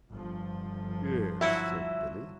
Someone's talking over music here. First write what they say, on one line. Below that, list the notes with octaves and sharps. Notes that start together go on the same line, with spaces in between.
"Yes," said Billy.
G1 F3
F#3 E4 F#4 E5